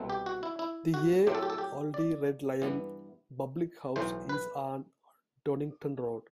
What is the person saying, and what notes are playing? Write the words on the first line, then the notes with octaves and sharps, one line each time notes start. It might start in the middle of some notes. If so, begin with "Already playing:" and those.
The Ye Olde Red Lion public house is on Donington Road.
Already playing: C2 B2 A3 C4
G4
F#4
E4
E4
F#4
A2 F#3 A3 C4 G4
A4
G4
A4
G4
D5
G2 E3 B3
B1 A2 E3 A3 C5
B4